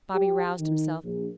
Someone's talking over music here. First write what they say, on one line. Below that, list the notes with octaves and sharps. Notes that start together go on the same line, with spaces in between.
Bobby roused himself.
G4
D#3
A#1